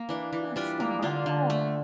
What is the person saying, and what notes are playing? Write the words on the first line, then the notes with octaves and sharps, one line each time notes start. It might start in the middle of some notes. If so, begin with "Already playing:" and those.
Oh, stop. Oh
Already playing: A#3
E3 D4
E3
G3 D4 F4
A#3
D3 D4 F4
D3
A3